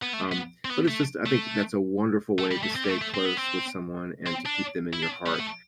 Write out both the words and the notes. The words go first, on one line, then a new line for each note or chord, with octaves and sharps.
Um, but it's just I think that's a wonderful way to stay close with someone and to keep them in your heart.
B3
A3
B3
C4
B3
A3
A3
A3
G3
A3
C4
G3
A3
A3
C4
B3
C4
C4
D4
E4
D4
G3
B3
A3